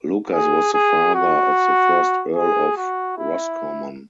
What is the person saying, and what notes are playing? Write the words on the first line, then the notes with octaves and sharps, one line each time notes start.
Lucas was the father of the first Earl of Roscommon.
G#4
G#4
F#4
G#4
F#4
E4